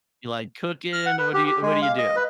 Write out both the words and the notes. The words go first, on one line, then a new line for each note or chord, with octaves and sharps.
You like cooking, what do you what do you do?
F6
F#5
B4
G4
G4
G#3
F5
D#5
B4